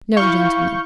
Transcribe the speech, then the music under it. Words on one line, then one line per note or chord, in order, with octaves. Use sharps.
No gentleman!
E4 F5 C#6 G6